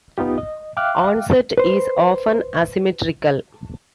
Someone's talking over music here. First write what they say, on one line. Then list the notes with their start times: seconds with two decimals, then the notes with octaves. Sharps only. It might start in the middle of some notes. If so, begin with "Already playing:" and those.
Onset is often asymmetrical.
0.18 B3 D#4 F4 G4
0.38 D#5
0.77 E5 F5 G5 D6 F6 F#6
1.58 B4 C5